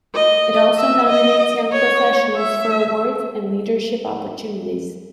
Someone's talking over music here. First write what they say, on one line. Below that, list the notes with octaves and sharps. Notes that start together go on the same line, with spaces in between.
It also nominates young professionals for awards and leadership opportunities.
D#5
E5
D#5
C#5
E5